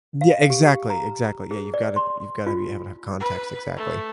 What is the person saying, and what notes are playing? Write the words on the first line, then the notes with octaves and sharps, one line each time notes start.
Yeah, exactly, exactly. Yeah, you've gotta you've gotta be able to have context, exactly.
F5
G4
A#5
G#4
D5
C6
F4
B4
A3